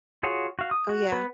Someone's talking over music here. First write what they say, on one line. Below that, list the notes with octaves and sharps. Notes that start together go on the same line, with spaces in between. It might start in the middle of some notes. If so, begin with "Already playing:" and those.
Oh yeah.
F4 F#4 G#4 C#5
F#4 F5
D#6
F#4
B3 B4